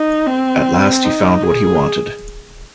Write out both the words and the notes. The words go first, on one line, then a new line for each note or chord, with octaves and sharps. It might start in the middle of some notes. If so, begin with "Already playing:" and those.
At last he found what he wanted.
Already playing: D#4
C4
D#4
G#4